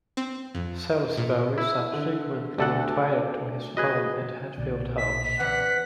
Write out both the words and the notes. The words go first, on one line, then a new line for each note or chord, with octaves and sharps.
Salisbury subsequently retired to his home at Hatfield House.
C4
F2
A#2
E4
D3
D2 A4 D5 F#5
F#3 G#4 B4 D#5
B1 A#2 D3 D5
B6
E2 C3 D5 F#5